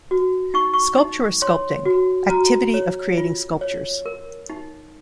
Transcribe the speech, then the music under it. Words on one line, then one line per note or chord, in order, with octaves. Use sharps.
Sculpture or sculpting - activity of creating sculptures.
F#4
D#4 C#6
C#6
D#4
C#5 C6
F#4
F#4 A#5
C#5
F4
C#5
A#4
D#4